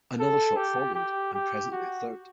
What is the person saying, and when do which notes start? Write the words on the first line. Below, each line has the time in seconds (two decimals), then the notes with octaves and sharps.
Another shot followed and presently a third.
0.19 A4
0.56 G4
0.95 G4
1.34 G4
1.72 F#4